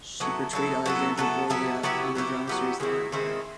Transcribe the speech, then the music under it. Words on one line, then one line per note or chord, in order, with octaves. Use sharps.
She portrayed Alexandra Borgia on the drama series "Law and Order".
F#3 B3 E4 A4
F#3 B3 E4 A4
F#3 B3 E4 A4
F#3 B3 E4 A4
F#3 B3 E4 G4
F#3 B3 E4 G4
F#3 B3 E4 G4
F#3 B3 E4 G4
D#3 G#3 C4 E4
D#3 G#3 C4 E4